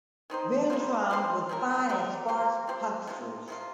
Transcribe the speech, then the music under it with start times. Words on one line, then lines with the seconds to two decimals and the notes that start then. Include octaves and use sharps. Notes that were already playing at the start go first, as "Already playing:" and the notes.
Ventrum with fine and sparse punctures.
0.30 D#3 C4 D#4 C5
0.70 G3 A#3 F4 C5
1.10 G3 A#3 F4 C5
1.49 F3 C4 G4 A#4
1.89 F3 C4 G4 A#4
2.28 F3 C4 G4 C5
2.67 F3 C4 G4 C5
3.07 C3 F3 A#3 F4
3.48 C3 F3 A#3 F4